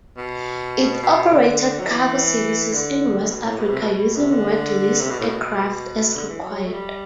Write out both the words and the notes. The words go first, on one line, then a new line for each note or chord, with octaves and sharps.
It operated cargo services in West Africa using wet-leased aircraft as required.
B2
B2
D3
F#3
E3
D3
B2
A2
B2
C3
B2
C3
D3
C3
B2
A2
B2
D3
E3
F#3
A3
G3